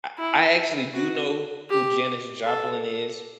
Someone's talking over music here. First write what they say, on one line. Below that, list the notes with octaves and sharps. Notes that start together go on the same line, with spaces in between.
I I actually do know who Janice Joplin is.
E4
F#4
G4
A4